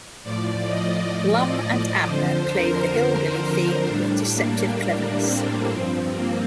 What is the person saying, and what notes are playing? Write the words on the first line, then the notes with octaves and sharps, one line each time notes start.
Lum and Abner played the hillbilly theme with deceptive cleverness.
A2 F3 D5
D#5
D#5
D5
F2 D3 F3 C5
A#4
C5
A2 G3 D4
A#3
A#3
C4
G2 F3
A#3